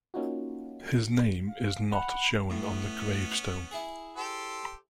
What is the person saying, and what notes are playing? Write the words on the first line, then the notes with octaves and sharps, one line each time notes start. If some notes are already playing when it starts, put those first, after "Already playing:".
His name is not shown on the gravestone.
A#3 C#4 D#4 F4 F#4
F5
F#5 B5
A2 B3 C#4
E4 G#4
G4 A4 C5